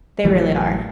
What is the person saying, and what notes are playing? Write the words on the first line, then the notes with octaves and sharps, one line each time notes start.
they really are.
A1 E3 F#3 A3